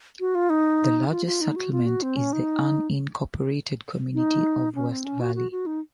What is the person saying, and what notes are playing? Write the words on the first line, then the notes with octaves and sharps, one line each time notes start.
The largest settlement is the unincorporated community of West Valley.
F#4
F4
D#4
F4
F4
D#4
F#4
F4
F#4
C4
C#4
D#4
D#4
C#4
C4
C#4
F#4
F#4
F#4
D#4